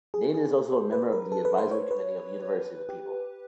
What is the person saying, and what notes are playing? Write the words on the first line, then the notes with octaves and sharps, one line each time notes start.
Nadin is also a member of the Advisory Committee of University of the People.
G#4
G#4
A4
C5
B4
A#4
A4
B4
C5
C#5
B4
G4